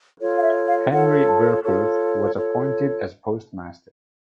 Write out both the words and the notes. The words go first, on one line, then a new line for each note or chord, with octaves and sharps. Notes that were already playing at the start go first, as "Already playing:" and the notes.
Henry Verfurth was appointed as postmaster.
F4 A4 C#5
F5
E5
F5
F4 A4 C#5 F#5
A5
F4 A4 C#5
F4 A4 C#5